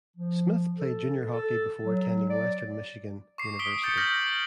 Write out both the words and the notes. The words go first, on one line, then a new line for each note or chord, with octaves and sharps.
Smith played junior hockey before attending Western Michigan University.
F3
A4
A4
F#3
D5
C#6 D6 C7
D#6 B6 D7 G7
D6 D#6 G6 A6 C7 C#7
D6 F6 G6 A6 A#6 F#7
F#7